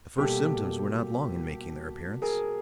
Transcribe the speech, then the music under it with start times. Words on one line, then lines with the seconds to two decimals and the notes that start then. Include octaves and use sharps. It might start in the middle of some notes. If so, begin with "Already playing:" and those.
The first symptoms were not long in making their appearance.
0.18 B2 G3 A#3 G4 A4
2.22 G#4 A#4